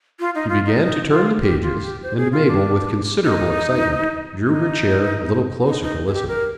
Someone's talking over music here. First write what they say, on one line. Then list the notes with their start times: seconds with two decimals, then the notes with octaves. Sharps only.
He began to turn the pages, and Mabel, with considerable excitement, drew her chair a little closer to listen.
0.20 F4
0.35 D#4
0.49 F4
0.66 D#4
0.80 D#4
1.11 F4
1.41 G4
1.62 F4
1.82 G4
2.03 C5
2.17 G#4
2.32 F4
2.48 D4
3.24 D#4
4.46 D#4
5.67 D#4
5.82 D#4
6.07 G#4
6.14 G4
6.28 A#4